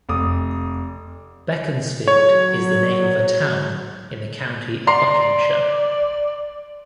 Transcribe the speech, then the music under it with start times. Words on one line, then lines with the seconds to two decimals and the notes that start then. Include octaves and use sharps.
Beaconsfield is the name of a town in the county of Buckinghamshire.
0.09 F1 D6 D#6
2.08 F#3 C#5
4.87 D5 A#5 C6 C7